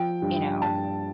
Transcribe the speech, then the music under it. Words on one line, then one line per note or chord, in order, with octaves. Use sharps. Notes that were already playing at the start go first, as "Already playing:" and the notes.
you know,
Already playing: F3 G5
G2
G2 A5